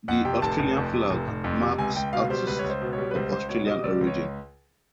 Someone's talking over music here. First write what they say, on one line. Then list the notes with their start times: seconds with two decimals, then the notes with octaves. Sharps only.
The Australian flag marks artists of Australian origin.
0.08 F2 F#5
0.25 C3 G5
0.42 F1 A5
0.59 F1
0.77 F2
0.94 C3
1.10 F1
1.28 F1
1.44 F2
1.62 C3
1.78 C#2 G#5
1.96 C#2 G5
2.13 B2 F5
2.30 G3 C5
2.47 C#2 B4
2.59 C#5
2.64 C#2
2.70 C5
2.81 B2
2.93 C#5
2.98 G3
3.11 B4
3.15 C#2 C5
3.32 C#2 C5
3.49 B2 C#5
3.67 G3 D#5
3.84 C#2 D5
4.01 C#2
4.07 C#5